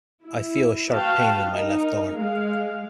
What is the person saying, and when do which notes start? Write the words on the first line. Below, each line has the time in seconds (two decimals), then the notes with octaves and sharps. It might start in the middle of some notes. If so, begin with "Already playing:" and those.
I feel a sharp pain in my left arm.
0.24 E4
0.91 F#4 B4 F5 G5 A5
1.49 D#4 A#4
2.15 G#3 F5